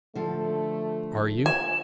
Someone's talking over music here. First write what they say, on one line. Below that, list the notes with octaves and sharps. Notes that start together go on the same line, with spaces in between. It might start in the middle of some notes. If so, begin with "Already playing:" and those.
"Are you?"
D3 F3 A3 A4
G#5 E7